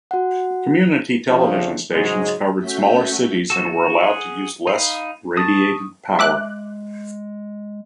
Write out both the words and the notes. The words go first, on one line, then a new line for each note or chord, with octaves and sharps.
Community television stations covered smaller cities and were allowed to use less radiated power.
F#4 F#5
C#3 F3 A3 C4 D4
G#2 C#3 F#3 G#3
A3 C#4 F#4 E5 G6 B6
F#4 A4
F#4
G#4 F#5
D#4 F5 B5
A5 C#6 D#6
G#3 E5 D6 F#6